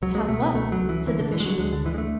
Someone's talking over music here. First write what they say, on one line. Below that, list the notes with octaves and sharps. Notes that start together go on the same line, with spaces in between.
"Have what?" said the fisherman.
C#2 F#3
G#3
B2 A3
B3
C#2 A3
F#3
C#2
E3
D2 E3
D3
D3 E3
G#3
F#3
D2 G#3
D3
D3 E3
G#3
A3